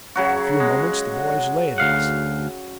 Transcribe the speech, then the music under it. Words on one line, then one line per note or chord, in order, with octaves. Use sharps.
For a few moments the boys lay thus.
C#3 F#3 F#4
G#3
D2 F5 F#5